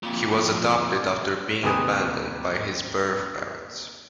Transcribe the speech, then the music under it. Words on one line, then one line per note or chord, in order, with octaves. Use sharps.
He was adopted after being abandoned by his birth parents.
F2 A#2
D#2 C3 B4 G#5 D#6